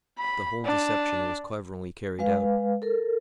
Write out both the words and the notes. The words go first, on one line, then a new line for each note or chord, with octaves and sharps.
The whole deception was cleverly carried out.
B5
D4
G#3 B4 F5
A4 A#4